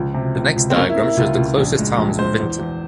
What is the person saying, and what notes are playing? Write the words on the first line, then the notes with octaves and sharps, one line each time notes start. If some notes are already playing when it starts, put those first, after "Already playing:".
The next diagram shows the closest towns to Vinton.
Already playing: C#2 F3
C3
C#2
C#2
C4
A#3 C#4
E4
A#3
E4
C#2 F4
C#2
A#1
G#3
A#1
G#3 C5
E2
E2